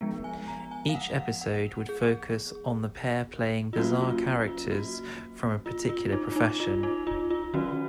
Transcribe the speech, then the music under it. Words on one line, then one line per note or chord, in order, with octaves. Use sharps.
Each episode would focus on the pair playing bizarre characters from a particular profession.
F3 G#3 B3
G#5
A#5
G#5
F5
F#5
F#5
G#4
F4
F#3 A#3 C#4 F#4
F#4
F4
F4
F#4
F4
F4
D#4
F4
D#4
F4
D#4
F4
F4
D#3 F#3 C#4 F#4